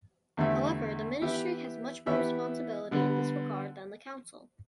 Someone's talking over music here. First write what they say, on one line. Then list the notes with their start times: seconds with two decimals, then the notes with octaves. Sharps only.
However, the ministry has much more responsibility in this regard than the council.
0.37 E2 D3 A3 G4 E5
1.22 E3 B3 G4 E5
2.06 E3 B3 G4 E5
2.91 D3 G3 B3